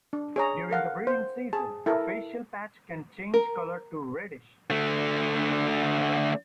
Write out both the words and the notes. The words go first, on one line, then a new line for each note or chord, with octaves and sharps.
During the breeding season the facial patch can change color to reddish.
D4
G#4 C#5 A#5
A4 A#4 F5 F#5
C5
G#4 A5
E4 A4 A#4
A#4
D3 A3